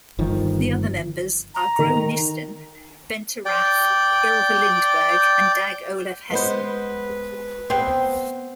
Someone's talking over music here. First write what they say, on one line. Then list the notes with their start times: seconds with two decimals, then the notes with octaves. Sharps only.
The other members are Gro Nystuen, Bente Rathe, Ylva Lindberg and Dag Olav Hessen.
0.19 G1 D#3 F3
1.55 A#5
1.79 D#3
3.45 D5 G5
6.31 G#3 B3 B4 C5
7.70 B3 C4 G5